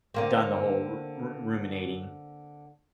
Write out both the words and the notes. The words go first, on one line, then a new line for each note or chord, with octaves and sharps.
done the whole ru ru ruminating.
D3 A#3 C4